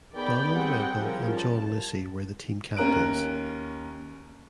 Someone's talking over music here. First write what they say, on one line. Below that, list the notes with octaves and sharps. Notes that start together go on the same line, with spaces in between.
Donald Wemple and John Lucy were the team captains.
D#3 B3 G#4 D5 G5 B5
G3 C4 G#4 F#5 G5
F3 G3 C#4 A#4
A5
D#2 C#4 A#4 A#5 F#6 D7